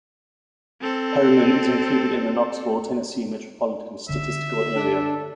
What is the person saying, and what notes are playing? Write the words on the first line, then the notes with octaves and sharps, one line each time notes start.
Harriman is included in the Knoxville, Tennessee Metropolitan Statistical Area.
C4 A4
D3 B3 E5
D4 A4